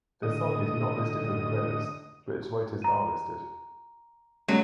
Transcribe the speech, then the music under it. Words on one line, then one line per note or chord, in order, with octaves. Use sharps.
The song is not listed in the credits, but its writers are listed.
A2 D3 D#5 D#6
A#5 D#7
F#3 G3 A3 C#4